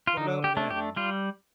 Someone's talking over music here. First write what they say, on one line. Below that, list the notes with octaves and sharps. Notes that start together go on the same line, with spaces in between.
"What about Manning?"
F4
D3 D#4
G4
A3 D4
G4
G3 F4